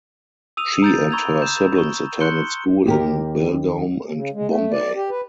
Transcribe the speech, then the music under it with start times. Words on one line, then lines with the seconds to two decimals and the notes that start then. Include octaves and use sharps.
She and her siblings attended school in Belgaum and Bombay.
0.57 D#6 E6 D#7 F7
0.82 A#5 G6 A6
1.12 A#5 B5 C#6 E6 G#6 F7
1.42 G6 E7
1.78 C#6
2.21 C6 F#6 G6 C#7 G7
2.86 D#2 G4 A#4
4.13 C#3
4.33 G#3
4.48 A3
4.72 D5
4.95 G4
5.10 B4